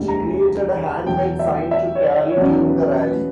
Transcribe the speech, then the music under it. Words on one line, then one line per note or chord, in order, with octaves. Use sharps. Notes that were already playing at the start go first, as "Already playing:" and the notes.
She created a handmade sign to carry during the rally.
Already playing: E1 D2 D3 G3
A#5
E2 B2 F#3 G5
E5
E5
C#5
D5
C#5
E2 B2 F#3 C#4 D5
B4
B4